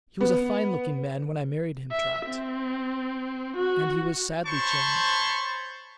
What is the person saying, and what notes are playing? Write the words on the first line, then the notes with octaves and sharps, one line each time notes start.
'He was a fine-looking man when I married him, Trot--and he was sadly changed!'
B3
E5
C4
F#4
C5 C#5 A5 B5 C#6